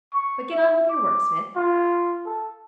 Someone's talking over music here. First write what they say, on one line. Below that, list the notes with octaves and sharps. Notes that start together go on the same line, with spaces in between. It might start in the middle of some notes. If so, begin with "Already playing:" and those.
But get on with your work, Smith.
C#6
E5
D6
F4
A4